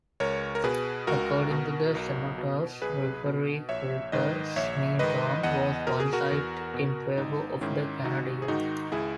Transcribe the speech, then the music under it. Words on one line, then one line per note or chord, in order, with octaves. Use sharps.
According to the Senators, referee Cooper Smeaton was one-sided in favour of the Canadiens.
C#2 A#4 C#5
A#4
B2 G#4 B4
C#2 F#4 A#4
B2
B1
B2
B1 G#4 B4
B2
A#1 C#5 E5
G#2 D#3 B4 D#5
A#1 C#5 E5
G#2 D#3 B4 D#5
E2 D#5 F#5
B2 A#4
G#4
F#4 A#4
E2
B2
G#1 D#4
G#2 D#3 C#4 E4
G#1 D#4 F#4
G#4
G#2 D#3 D#4 F#4
C#2 E4 G#4